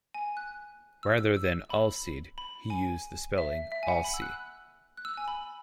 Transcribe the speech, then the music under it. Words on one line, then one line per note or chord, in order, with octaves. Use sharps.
Rather than "alseid" he used the spelling "alsea".
G#5
F#6
E6
E6
B5
B5
G#5
E5
E5
G#5
F#5
B5
E6
F#6
F#6
E6
G#5
B5